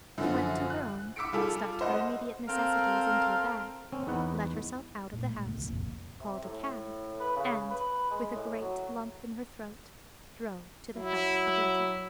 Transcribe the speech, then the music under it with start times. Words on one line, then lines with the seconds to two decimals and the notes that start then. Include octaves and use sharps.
She went to her own, stuffed her immediate necessities into a bag, let herself out of the house, called a cab, and, with a great lump in her throat, drove to the help of Letty.
0.18 F#2 D3 F3
0.70 F#6
1.16 D6 E6 B6 C#7 D7
1.33 G3 F4 G#4 A4
1.81 C5 D#5 F#5
2.47 C4 A4 A#4 F5
3.92 C4 C#4
4.07 E2 D#4 B4 F#5
5.13 A#2 A3
5.27 A#2 G#3 A3
5.44 C#2 G#2 B2 D3
5.61 F#1 C2 F2 A#2
6.21 C3
6.44 A2
7.20 B4
7.36 C#3
7.71 B4
8.11 G#3
8.36 A2
8.61 F#3
10.96 F#3 E4